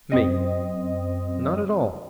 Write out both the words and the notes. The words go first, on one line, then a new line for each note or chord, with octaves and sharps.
ME: Not at all.
F#2 C4 D#5